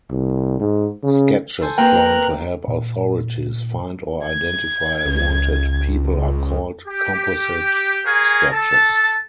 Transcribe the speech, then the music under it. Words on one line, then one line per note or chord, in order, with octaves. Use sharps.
Sketches drawn to help authorities find or identify wanted people are called composite sketches.
C2
G#2
C#3
A4 C5 G#5
A#3 C4 G4 A#4 B4 G5 A#5 F#6
A#2
G#6
C#2
G4
G#4 A#4 C#5 F5 G#5
A4 A5